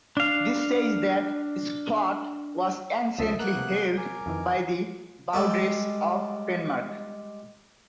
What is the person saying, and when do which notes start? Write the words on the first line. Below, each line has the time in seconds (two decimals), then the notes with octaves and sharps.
This says that Splott was anciently held by the Bawdrips of Penmark.
0.17 D4 F5
3.18 C#2 F3 D#5 E5 A5
3.40 A#3 B3 A#4 F#6
3.56 C3 A3
3.97 A#4 G#5 D6
4.26 F2 D#3 E3
5.33 G3 G#3 A4